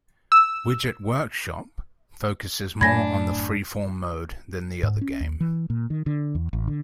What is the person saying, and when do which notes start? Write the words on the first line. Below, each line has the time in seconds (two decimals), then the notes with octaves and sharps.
"Widget Workshop" focuses more on the freeform mode than the other game.
0.32 E6
2.81 F#2 A2 A3 D4 G#5 B5 G#6 A#6
4.83 G#2
5.01 C#4
5.20 D#2
5.40 E3
5.70 A#2
5.90 D#3
6.06 D3
6.35 E2
6.53 A1
6.68 D3